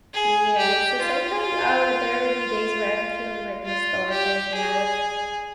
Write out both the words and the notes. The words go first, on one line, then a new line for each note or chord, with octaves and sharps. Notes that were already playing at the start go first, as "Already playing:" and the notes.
Yes, so sometimes I would there would be days where I'm feeling, like, nostalgic, and I would,
G#4
G4
F4
F4
G4
G#4